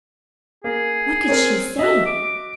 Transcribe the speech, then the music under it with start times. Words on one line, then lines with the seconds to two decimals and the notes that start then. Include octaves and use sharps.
What could she say?
0.64 A#3 G#4
1.29 C4 A#4 C#5
1.79 F#4 D#5 E5
2.06 D6